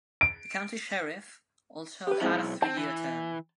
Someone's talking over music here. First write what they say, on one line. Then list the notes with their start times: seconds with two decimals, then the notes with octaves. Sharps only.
The county sheriff also had a three-year term.
0.21 D7
2.07 G4 B4
2.21 G#2 F3 G#3 C4 E4
2.35 B1
2.62 C4 A5
2.77 E3